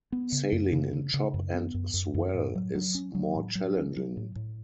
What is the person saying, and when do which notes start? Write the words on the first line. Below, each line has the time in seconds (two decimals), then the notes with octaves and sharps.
Sailing in chop and swell is more challenging.
0.12 B3
0.32 C#3
0.52 F#2
0.72 C#3
0.93 C#3
1.14 C#3
1.34 F#2
1.53 B3
1.74 F#2
1.94 F#2
2.14 F#2
2.35 A2
2.55 F#3
2.75 F#3
2.95 C#4
3.15 F#3
3.35 A2
3.55 F#3
3.76 C#4
3.96 F#3
4.17 A2
4.36 A2